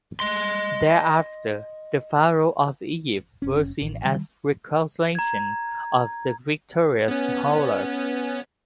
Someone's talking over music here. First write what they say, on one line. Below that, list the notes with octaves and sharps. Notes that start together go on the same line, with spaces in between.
Thereafter, the pharaohs of Egypt were seen as reincarnations of the victorious Horus.
D#5 C6
F#1 C#4
A1
D#3 G3
A#5 G#6
B3 C#4